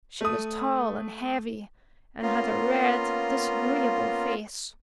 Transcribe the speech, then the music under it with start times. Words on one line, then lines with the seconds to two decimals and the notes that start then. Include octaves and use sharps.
She was tall and heavy and had a red, disagreeable face.
0.21 A3 D#6
2.22 A#3 B3 C#4 F4 A#5 C6